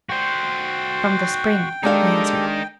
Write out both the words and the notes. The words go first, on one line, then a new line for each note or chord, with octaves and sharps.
"From the spring," he answered.
F#4 C5 G5
G#3 D4 D#4 G4 A4 A#4 F5